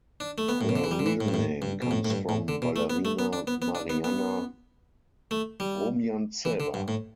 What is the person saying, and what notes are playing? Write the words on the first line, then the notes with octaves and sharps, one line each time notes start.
Her real name comes from ballerina Marianna Rumjantseva.
D4
A3
B3
A2
B2
D3
E3
G3
D3
E3
A2
G2
A2
G2
B2
A2
A2
G2
A2
D3
B2
A3
B3
A3
B3
D4
B3
B3
D4
B3
B3
A3
G3
E3
D3
G2
A2